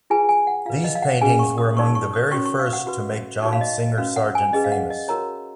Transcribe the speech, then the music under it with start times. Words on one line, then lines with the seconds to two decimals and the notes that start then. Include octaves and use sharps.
These paintings were among the very first to make John Singer Sargent famous.
0.10 F4 G#4 B4 G#5
0.29 G#5
0.47 F#5
0.66 F4 B4 F5
0.84 D#5
0.95 F5
1.02 F#5
1.21 C#4 G#4 B4 G#5
1.39 C#6
1.58 D#6
1.77 D#4 A#4 C#5 C#6
1.95 C#6
2.13 D#6
2.32 C#4 F#4 A#4 C#5 C#6
2.46 C#6
2.60 F5
2.73 F#5
2.87 F#4 B4
3.42 D#4 F#4 C#5
3.53 F5
3.61 D#5
3.79 D#5
3.98 C#4 F#4 B4 F5
4.16 F#5
4.35 G#5
4.53 C#4 G#4 B4 D#5
4.64 F5
4.72 F#5
4.90 D#5
5.08 F#4 A#4 C#5 A#5